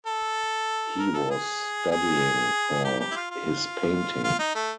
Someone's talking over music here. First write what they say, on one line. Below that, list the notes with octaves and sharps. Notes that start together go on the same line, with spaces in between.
He was studying for his painting.
A4
A#4
A4
G#4
G#4
G4
G4
E4
F4
F4
F4
D#4
A3